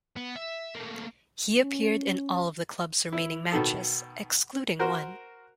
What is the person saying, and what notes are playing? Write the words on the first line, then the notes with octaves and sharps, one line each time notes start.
He appeared in all of the club's remaining matches excluding one.
B3
E5
A3 A#3
C#4
E4
B2 D#3 A4
F#4 A#4 C5